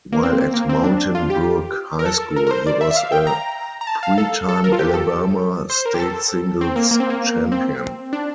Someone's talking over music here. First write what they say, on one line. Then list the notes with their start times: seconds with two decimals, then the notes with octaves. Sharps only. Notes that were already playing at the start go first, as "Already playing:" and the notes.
While at Mountain Brook High School, he was a three-time Alabama state singles champion.
0.12 A#3
0.23 C4
0.54 A#3
0.69 C4
0.84 D4
1.15 F4
1.30 G4
1.99 A#4
2.06 A4
2.36 A#4
2.47 A#4
2.51 C5
2.67 D5
2.81 E5
2.91 E5
2.97 F5
3.12 G5
3.27 A#5
3.81 A#5
3.87 A5
4.03 F5
4.18 A4
4.49 A4
4.64 A#4
4.72 F4
4.79 G4
4.94 A4
5.70 C5
5.86 A#4
5.94 G4
6.00 A4
6.61 C4
6.76 A#3
6.91 A#3
7.00 C4
7.10 A#3
7.52 C4
8.13 D4